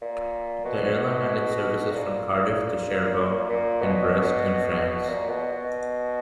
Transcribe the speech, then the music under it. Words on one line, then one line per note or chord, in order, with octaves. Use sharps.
The airline added services from Cardiff to Cherbourg and Brest in France.
A#2
B2
A#2
A#2
A#2
B2
A#2
B2
B2